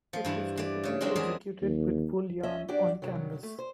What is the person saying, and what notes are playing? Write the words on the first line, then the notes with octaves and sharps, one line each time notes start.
It was typically executed with wool yarn on canvas.
F3
G2 E3 E4
E3 D5
C#3 C#5
F#3 G#3 C4 D4 C6
E2 E3 G#4 A#4
D#2
C#4 D#5 E5
E2 D4 F#4 G4 D5
G2 C3 D#3 F#3
A3
C5